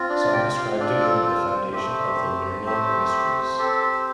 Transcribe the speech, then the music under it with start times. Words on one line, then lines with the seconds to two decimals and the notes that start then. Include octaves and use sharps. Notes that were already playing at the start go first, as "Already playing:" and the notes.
Some ascribe to him the foundation of the Lernaean mysteries.
Already playing: C4 F4
0.10 D4 D5
0.33 G4 G5
0.56 F4 F5
0.79 C4 D4 F4 D5
1.03 A4
1.22 D5
1.26 C5
1.50 C5
1.73 A3 C4 G4 C5
2.66 A3 C4 G4
3.59 C4 G4 A4
3.82 C5